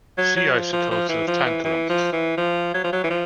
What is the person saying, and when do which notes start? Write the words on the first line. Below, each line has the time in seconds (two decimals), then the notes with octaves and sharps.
See isotopes of tantalum.
0.18 F#3
0.36 F#3
0.54 F3
0.72 F3
0.91 F3
1.09 E3
1.27 F3
1.46 E3
1.64 E3
1.89 F3
2.13 E3
2.37 F3
2.74 F#3
2.84 F3
2.92 F#3
3.04 E3
3.10 F3